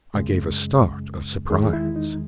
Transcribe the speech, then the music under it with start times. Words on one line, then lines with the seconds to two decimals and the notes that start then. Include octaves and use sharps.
I gave a start of surprise.
0.14 F#2 C#3 G#3
1.50 E2 D#3 G#3 G#4
1.73 E4
1.96 D#4